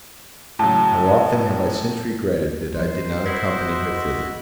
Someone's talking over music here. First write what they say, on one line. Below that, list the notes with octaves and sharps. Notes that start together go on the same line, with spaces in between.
How often have I since regretted that I did not accompany her thither!
A2 C#3 F#3 A5
C2 F3 C5
E4 F#4 D#5 G#6